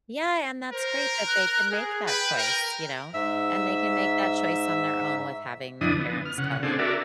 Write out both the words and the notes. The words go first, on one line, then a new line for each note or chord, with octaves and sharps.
Yeah, and that's great that they can make that choice, you know, and they can make that choice on their own with having their parents telling
A#4 C5
F#6
G#4
B4 G5
A#4
G#2 E5 E6
F2 D3 D4 E4 D#6
B3
F6
C#3 F#5
C4 D4 G#4 A4
F#4 A#4 D5 E5